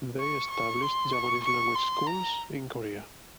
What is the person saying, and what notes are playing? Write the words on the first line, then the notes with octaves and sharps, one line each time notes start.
They established Japanese language schools in Korea.
C#6
C#6
C6
C#6
C#6
C6
A#5